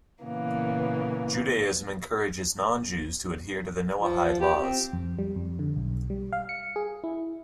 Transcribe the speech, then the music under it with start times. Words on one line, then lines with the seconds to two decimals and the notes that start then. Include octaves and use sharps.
Judaism encourages non-Jews to adhere to the Noahide Laws.
0.23 A#2 C#3 E3 A#3 B3
4.01 F3
4.40 G4
4.60 C4
4.93 F2
5.19 G3
5.36 F2
5.59 D3
5.76 B1
6.10 G3
6.33 F5
6.49 C#7
6.76 G#4
7.04 E4